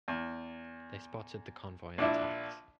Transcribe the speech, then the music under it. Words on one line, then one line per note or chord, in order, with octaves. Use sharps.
They spotted the convoy and attacked.
E2
A#1 D4 E4 E5